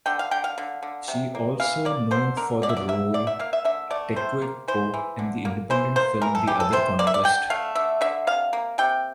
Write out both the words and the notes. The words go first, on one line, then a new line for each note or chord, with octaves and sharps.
She also known for the role Tecuichpo in the Independent film "The Other Conquest".
D3 G5
F5
D3 G5
F5
D3
D3
C3
A#3
E3 F5
A#3 D5
D3 C5
D3 A#4
D3 D5
E5
D5
A#3 E5
D3 D5
E5
A#3 F5
E5
D3 E5
A3 D5
C3 C5
A#3
E3 C5
E3
D3
A#3
E3 C5
A#3 C5
E3 A#4
A4
E3 G4
A4
C3 C5
A#3 D5
E5
D5
D3 G5
A3 F5
D3 E5
D3 E5
C3 F5
A#3
C3 G5